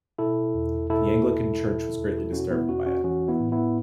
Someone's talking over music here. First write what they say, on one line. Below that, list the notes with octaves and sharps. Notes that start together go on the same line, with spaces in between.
The Anglican Church was greatly disturbed by it.
B2 E4 A4
E2
B2 E4 A4
E2
B2
E2
B2 C#4 F#4
B3 E4
E2 C#4 F#4
C#4 F#4
E3 C#4 F#4
B3 E4
A2
B3 E4